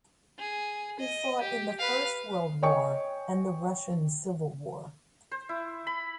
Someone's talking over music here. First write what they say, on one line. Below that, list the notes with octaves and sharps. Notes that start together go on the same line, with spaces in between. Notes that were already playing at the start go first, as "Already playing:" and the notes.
He fought in the First World War and the Russian Civil War.
G#4
D#5
G4
B4 F5
C#5 D#5 G5 G#5 C#6
C5
E4
B5